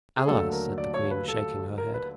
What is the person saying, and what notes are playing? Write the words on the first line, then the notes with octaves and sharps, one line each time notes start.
"Allies!" said the queen, shaking her head.
G#4
D#2 D3 F#3 A3 A4
A#4
D5
C#5
B4
A4
A#4
B4